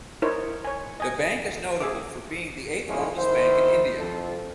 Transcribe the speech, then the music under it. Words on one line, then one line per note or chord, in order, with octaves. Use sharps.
The bank is notable for being the eighth oldest bank in India.
D#4 E4 A#4 C5 C#5
C#5 G#5
D#5 G#5
G#4 E5 D6
B2 F3 G#3 C#4 D4 E4
D2 D#3 E4 C5
F2 A4